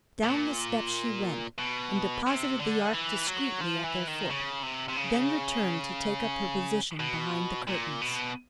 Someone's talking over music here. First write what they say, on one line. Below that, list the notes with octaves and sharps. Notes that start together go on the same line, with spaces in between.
Down the steps she went, and deposited the ark discreetly at their foot; then returned to take up her position behind the curtains.
A#2
B2
C3
D3
E3
F#3
F3
E3
D#3
C#3
C3
C3
C#3
B2
A#2
B2